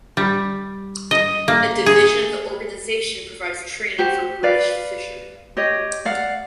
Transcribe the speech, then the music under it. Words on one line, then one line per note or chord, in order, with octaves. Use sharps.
A division of the organisation provides training for British fishermen.
G3
D#5
A#3
G#4
F#4 G4 C5
B4 D5 F5
G4 C#5 D#5
D5 F5 F#5